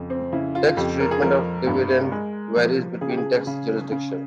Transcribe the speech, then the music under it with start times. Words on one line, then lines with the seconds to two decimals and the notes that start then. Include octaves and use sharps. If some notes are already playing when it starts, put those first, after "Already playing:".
Tax treatment of dividends varies between tax jurisdictions.
Already playing: F2 C#3
0.10 C4
0.33 C#3 E4
0.55 F4
0.77 F2 G4
1.00 A#4
1.11 G#4
1.22 F3 A#4
1.67 G2
2.12 G#3
2.56 F3
3.01 C#3 G#4
3.09 G4
3.17 G#4
3.47 C#3
3.92 C#3